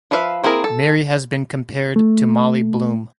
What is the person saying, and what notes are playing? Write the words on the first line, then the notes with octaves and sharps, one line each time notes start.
Mary has been compared to Molly Bloom.
F3 F4 B4 E5 F5
A#3 C4 E4 G#4 A#4
A4
A3